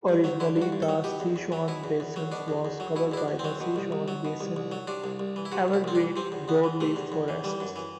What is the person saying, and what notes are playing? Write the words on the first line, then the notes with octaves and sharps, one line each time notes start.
Originally, the Sichuan Basin was covered by the Sichuan Basin evergreen broadleaf forests.
G2
F#3
D3 E4
G2
F#4
G2
A4
F#3
B2 G4
E2
E2
F#3
B2 E4
E2
E2
F#3
B2 D4
E2
E2
F#3
B2 E4
E2 E4
D4
E2
C4
F#3
B2
C2
C2
F#3
B2
C2
C2
F#3
C3 D4
C2
C2
E3
E4
C3 F#4
C2
E4
C2 C4
D4
E3
C3 C4
E2
E2 B3
E3
C3 A3
E2
E2
E3
E3 G3
F#2
E3